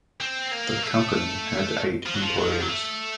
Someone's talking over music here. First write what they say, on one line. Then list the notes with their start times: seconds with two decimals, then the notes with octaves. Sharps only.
The company had eight employees.
0.21 C4
0.52 A#3
0.83 A3
2.06 F3
2.14 F#3
2.22 F3
2.38 F#3
2.52 F3
2.61 F#3
2.68 A3